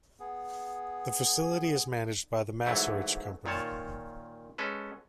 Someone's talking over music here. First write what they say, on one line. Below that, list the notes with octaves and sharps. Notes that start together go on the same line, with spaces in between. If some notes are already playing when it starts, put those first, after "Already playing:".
The facility is managed by The Macerich Company.
B3 G#4
G#2 E3 F#3 A3
A#2 D#3 F4 C#5 A5
G#3 C#4 A4 B4